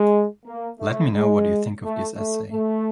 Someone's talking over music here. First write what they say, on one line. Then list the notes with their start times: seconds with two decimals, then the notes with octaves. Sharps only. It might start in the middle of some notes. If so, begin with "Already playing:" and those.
Let me know what you think of this essay.
Already playing: G#3
0.46 A#3
0.80 A3
1.15 G#3
1.83 A3
2.16 A3
2.50 A3